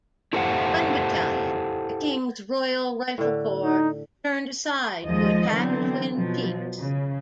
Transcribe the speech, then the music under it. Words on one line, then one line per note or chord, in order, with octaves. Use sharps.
One battalion, the King's Royal Rifle Corps turned aside to attack Twin Peaks.
E4 G4 A4 C5 F5 F#5
A2 D3
D#4
D#2 F3 G#3 D#5
D3 E3 F#3 B3 C4
B2 F3 F#3
C#3